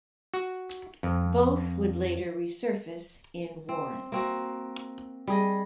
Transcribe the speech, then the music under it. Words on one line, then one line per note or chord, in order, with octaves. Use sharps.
Both would later resurface in Warrant.
F#4
F2
C4
A#3 C4 F#4
G3 G#4 D#5